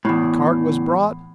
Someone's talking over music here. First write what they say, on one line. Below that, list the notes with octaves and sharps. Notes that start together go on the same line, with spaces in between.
The cart was brought.
E2 A2